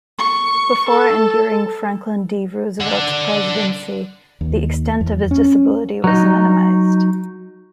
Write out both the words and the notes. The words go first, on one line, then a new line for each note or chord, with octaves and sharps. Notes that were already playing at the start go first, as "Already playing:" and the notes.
Before and during Franklin D. Roosevelt's presidency, the extent of his disability was minimized.
C#6
A4
D4 F#5
D#2
E2
C#4
F#3 D#4